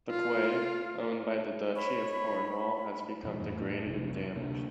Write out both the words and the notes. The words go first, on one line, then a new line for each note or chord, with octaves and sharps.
The quay, owned by the Duchy of Cornwall, has become degraded and damaged.
F4
C#5 B5
E2 A#2 F3
F2 A2 E3 A3
A2
F1 A#1 C3
D2 C3 A#3 D4